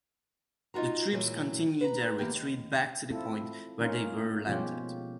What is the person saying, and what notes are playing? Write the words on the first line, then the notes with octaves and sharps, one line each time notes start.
The troops continued their retreat back to the point where they were landed.
D#4 F4 F#4 A#5
A#2 E3 F#3
B4 A#5
E3 A#3 B3 G4
D#2
C4 E4 F4 A4
A3 A#3 C#4 D#4 F4 A#4
B2 F3 G#3 C#4 F4 G4